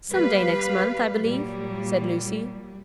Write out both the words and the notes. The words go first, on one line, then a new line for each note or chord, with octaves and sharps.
"Some day next month, I believe," said Lucy.
G3 A#3 G4 B4 F5
A#2 F#3 G3